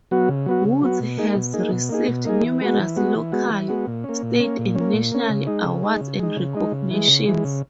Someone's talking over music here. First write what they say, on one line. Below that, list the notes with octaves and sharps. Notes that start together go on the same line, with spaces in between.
Woods has received numerous local, state, and national awards and recognitions.
F#3 B3 F#4
C#3
F#3 B3 F#4
C#3
F#3 B3 F#4
B2
A#3 D#4 G#4
B2
A#3 D#4 G#4
B2
A#3 D#4 G#4
B2
A#3 D#4 G#4
E3
G#3 B3 F#4
E3
G#3 B3 F#4
E3
G#3 B3 F#4
E3
G#3 B3 F#4
A#2
A#3 C#4
A#2
A#3 C#4
A#2
C#4
A#3
A#2
A#3 C#4
C#3
G#3 D#4
C#3
G#3 D#4
C#3
G#3 D#4
C#3
G#3 D#4
C#3
E3 G#3
C#3
E3 G#3
C#3